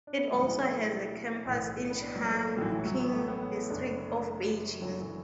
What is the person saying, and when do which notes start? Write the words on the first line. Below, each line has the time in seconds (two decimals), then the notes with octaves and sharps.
It also has a campus in Changping District of Beijing.
0.07 D4
0.17 B3
0.25 A3
0.34 E1 D2 D3 F#3
0.47 E3
0.62 A3
0.76 E4
1.45 B1 A2 E3
1.90 B3
2.02 D4
2.16 F#3
2.30 A3
2.44 A3
2.57 A1 A2 E3 F#3
2.72 E3
2.86 F#3
3.00 F#3
3.13 A3
3.28 B3
3.42 B3
3.56 A3
3.69 F#1 F#2 D3 D4
3.89 B3
4.08 A3
4.26 A3
4.82 F#1 F#2 D3 F#3
5.01 E3